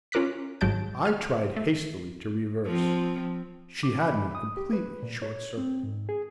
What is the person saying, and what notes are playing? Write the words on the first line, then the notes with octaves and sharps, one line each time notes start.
I tried hastily to reverse; she had me completely short-circuited.
C#4 F4 A#4 D6 F#6 B6
G#1 F#3 G#3 A5 G6 D7
G#5 F6
A3
F3 C4
D6
B5
D#6
G4
B4
A#2
C#5
C4
G#2
G#4